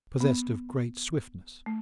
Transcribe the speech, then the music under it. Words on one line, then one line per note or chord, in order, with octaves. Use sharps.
Possessed of great swiftness.
B3
A3